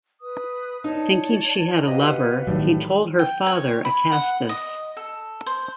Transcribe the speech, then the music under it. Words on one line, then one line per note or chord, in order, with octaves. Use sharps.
Thinking she had a lover he told her father Acastus.
B4 D#6
D#4 C#5 D5 A5
F#4 G4 B4 D#5 F5
A2 D#3 F#3 G3
G5
C#5
B5
F#5
D#5
A4
C5